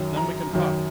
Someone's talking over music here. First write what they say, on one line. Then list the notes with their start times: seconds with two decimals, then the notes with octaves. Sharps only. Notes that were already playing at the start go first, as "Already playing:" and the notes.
Then we can talk.
Already playing: F#2 D#3 F#3
0.16 A#5
0.53 F#2 D#3 F#3